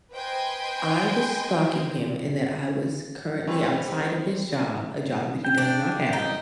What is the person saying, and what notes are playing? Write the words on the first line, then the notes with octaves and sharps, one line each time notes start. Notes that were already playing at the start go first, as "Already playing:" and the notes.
I was stalking him and that I was currently outside of his job- a job that he does not have
B4 C5 D#5 G5 G#5 C6
G3 C4 B4
G5
D4 G5
D#4